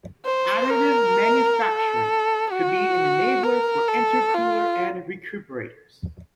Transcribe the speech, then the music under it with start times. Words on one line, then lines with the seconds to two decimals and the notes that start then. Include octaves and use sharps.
Additive manufacturing could be an enabler for intercooler and recuperators.
0.25 C5
0.71 A#4
1.62 A4
2.52 F#4
3.43 A#4
3.88 A4
4.34 F4